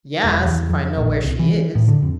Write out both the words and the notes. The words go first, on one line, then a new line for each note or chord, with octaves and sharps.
"Yes, if I know where she is!"
E1
E2
F2
A#1
C2
E3
A2
D3
F2